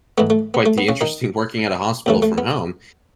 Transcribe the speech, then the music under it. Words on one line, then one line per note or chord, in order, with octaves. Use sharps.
quite the interesting working at a hospital, from home.
G#2 E3 A3 B3
A3
B3
A3
B3
C#3 C#4
D#3 D#4
D#2 C#3 E3 A3
A3
B3